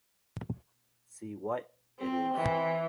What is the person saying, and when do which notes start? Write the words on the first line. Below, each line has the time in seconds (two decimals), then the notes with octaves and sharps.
See what it is.
1.99 C4
2.34 E3